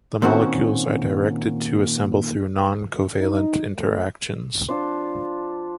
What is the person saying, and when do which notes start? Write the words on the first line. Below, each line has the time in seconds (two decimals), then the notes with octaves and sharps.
The molecules are directed to assemble through noncovalent interactions.
0.22 A#2 D#3 C4 C#4 F#4
3.20 D#4
3.76 A3
4.69 F3 D4 F4 C5